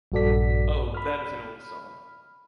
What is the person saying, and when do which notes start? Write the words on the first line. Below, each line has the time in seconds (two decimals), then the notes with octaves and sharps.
Oh, that is an old song!
0.12 A#1 G2 F#4 A4 D5 B6
0.94 B5 F6